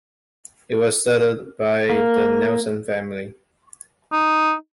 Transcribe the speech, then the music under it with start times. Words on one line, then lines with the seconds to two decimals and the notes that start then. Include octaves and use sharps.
It was settled by the Nelson family.
1.89 A#3
4.12 D#4